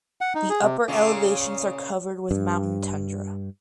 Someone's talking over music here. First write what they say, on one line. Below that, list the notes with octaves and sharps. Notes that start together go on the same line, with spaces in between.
The upper elevations are covered with mountain tundra.
F#5
D#4
G#4
C3
A#2 C#3 C#4
G2